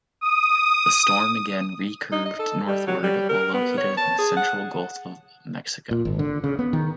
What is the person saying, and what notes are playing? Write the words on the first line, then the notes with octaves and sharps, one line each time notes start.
The storm again re-curved northward while located in the central Gulf of Mexico.
D#6
D#4
D#5
A4
G3
F#3
G3
A#4
B3
C#5
A5
G#4
F#5
A#2
G#1
D3
C#3
B3
D#3